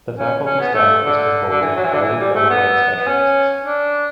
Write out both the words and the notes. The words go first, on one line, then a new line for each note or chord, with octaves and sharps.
The Faculty staff is composed of highly qualified specialists.
C#4
C#4
B3
A3
D3
D3
E3
F#3
E3
D3
E3
G3
A3
B3
B3
C#4
D4